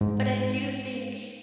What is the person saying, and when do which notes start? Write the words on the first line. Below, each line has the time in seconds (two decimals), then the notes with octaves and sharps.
but I do think
0.01 G#2